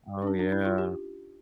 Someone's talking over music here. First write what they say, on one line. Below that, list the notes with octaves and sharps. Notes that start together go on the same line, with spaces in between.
Oh, yeah.
D4
C#4
D4
E4
F4
G4